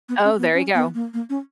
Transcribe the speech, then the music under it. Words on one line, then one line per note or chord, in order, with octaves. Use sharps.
Oh, there you go.
B3
C#4
B3
C#4
B3
A#3
A#3
C#4